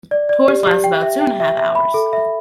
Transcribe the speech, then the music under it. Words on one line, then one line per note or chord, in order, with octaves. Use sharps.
Tours last about two and a half hours.
D5
D5
G4
G4
G5
E5
G5
E5
E5
B5
A4
E5